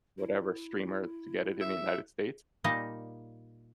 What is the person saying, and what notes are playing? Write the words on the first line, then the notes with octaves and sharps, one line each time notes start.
whatever streamer to get it in the United States,
E4
E5
A#2 G3 A#3 D#4 D#5 A5